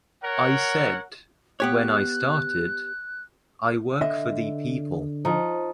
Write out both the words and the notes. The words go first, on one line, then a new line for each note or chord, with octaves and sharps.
I said, when I started, I work for the people.
A#4 C#5 F#5
B3 G4 C#5 F#6
D3 D#5 E5
F3 D#4